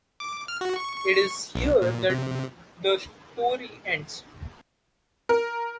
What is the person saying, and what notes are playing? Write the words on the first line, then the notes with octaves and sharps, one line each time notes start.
It is here that the story ends.
D6
F6
F#4
C#6
B1
A#2
C3
A#4